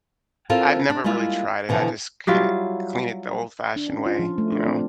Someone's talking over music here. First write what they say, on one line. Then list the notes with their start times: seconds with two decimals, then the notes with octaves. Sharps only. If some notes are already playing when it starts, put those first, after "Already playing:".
I've never really tried it. I just clean it clean it the old-fashioned way, you know.
0.50 C4 E4 F4 A4 A#4 C5
0.90 D4
1.04 G3 G#3 A#3 E4 F4
1.69 B2 D3 E3 F3
2.27 F#3 G3 E4 F4
3.76 D4
3.90 C#4
4.06 F4
4.19 F3
4.38 A3
4.52 D4
4.66 C4